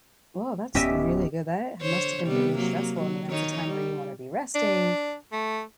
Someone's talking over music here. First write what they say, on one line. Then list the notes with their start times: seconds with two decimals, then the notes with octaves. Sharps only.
Whoa, that's really good, that ha must've been really stressful, I mean, that's the time where you wanna be resting,
0.75 D1 B3 C#4 G4 D#5 E5
1.82 D3 C5 C#5
2.25 C3 G3 B3
2.56 F#3 A#3
2.96 F#3
3.30 D#3 D#4 C#5
3.67 G3
4.55 D4
5.32 A3